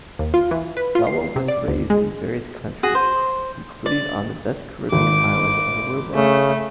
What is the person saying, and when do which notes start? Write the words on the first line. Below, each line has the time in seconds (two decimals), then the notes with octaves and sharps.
Thelma was raised in various countries, including on the Dutch-Caribbean island of Aruba.
0.19 D#2
0.34 F4
0.51 E3
0.77 B4
0.95 F4
1.07 C7
1.36 C3
1.48 D5
1.68 D2
1.90 G#3
2.83 F#4 G#4
2.95 C5
3.86 D5
4.92 G#1 D6
6.14 C#3 A3